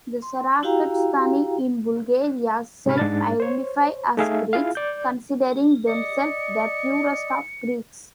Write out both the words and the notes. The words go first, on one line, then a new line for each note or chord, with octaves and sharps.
The Sarakatsani in Bulgaria self-identify as Greeks, considering themselves the purest of Greeks.
C6
E4 F#4 G4 F5 G5 A#5
G#2 C3 B5 F6
G#2 D4 A6
C5 C#5
A3 D#4 G#4 E5 F5
E4 F4 G#4 F5
D5 G6
D5 D#5 C#7